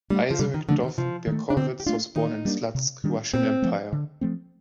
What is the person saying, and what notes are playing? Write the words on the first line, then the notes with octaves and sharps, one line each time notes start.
Isaac Dov Berkowitz was born in Slutsk, Russian Empire.
G3 A3 D4
F3
C3 G3
D#3
D3 F3 A3 D4
D#3
C3 F3
D#3 A3
D4
D3 C4
G4
A3 D4 F4
D#3 D#4
G3 A#3 D4
C3
D#3 G3 D4
A#2 C4
F3 A3
D3
F3 A3 C4